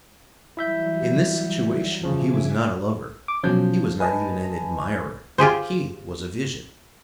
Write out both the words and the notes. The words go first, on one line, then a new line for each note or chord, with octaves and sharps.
In this situation he was not a lover, he was not even an admirer, he was a vision.
E3 F#3 G3 E4 E5 G6
C#3 F3 E5 G#5 D6
D6
B2 F3 F#3 C#4 G6
B4 D#5 G#5 A5 B5
F4 G4 G#4 C5